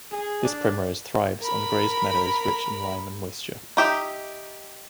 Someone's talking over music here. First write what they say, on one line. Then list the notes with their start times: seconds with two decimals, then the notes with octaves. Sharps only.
This primrose thrives on grazed meadows rich in lime and moisture.
0.12 G#4
0.44 D4
1.41 A#4 B5
3.77 D#4 G4 E5